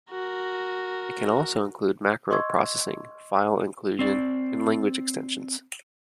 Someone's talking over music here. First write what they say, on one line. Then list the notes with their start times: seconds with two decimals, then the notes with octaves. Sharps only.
It can also include macro processing, file inclusion and language extensions.
0.10 F#4 A#4
2.30 D#5 C6 C#6 E6 G#6
3.99 C4 D5